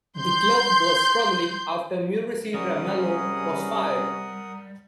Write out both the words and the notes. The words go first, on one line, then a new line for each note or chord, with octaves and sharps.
The club was struggling after Muricy Ramalho was fired.
C6 G6
C3 G3 C#4 G#4 A#4 F#5 D#6